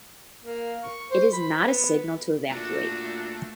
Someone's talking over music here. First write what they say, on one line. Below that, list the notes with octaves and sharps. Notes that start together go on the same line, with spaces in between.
It is not a signal to evacuate.
A#3
C#6
C5
B5
B3
A#2 A3 D4 F#4